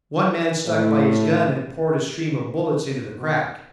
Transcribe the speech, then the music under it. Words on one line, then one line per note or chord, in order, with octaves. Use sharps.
One man stuck by his gun and poured a stream of bullets into the crack.
A2
B2